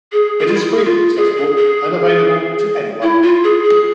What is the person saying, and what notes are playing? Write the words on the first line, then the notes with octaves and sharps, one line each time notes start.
It is freely accessible and available to anyone.
G#4
G#4
F4
E4
G#4
F4
G#4
G#4
G#4
E4
F4
G#4
G#4